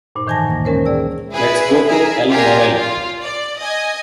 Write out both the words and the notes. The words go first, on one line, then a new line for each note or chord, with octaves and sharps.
Let's go to El Morell.
G2 A#2 D#4 C5
A2 D#3 E3 G#5 A5 A#6
D2 A#3 A#6
G#3 C#4 A#4 C5 C#5
G#4 D5 G5 E6
E4 G#4 B4 E5
G#4 A#4 E5
F4 G4 G#4 A#4
F4
D5
D#5 G#5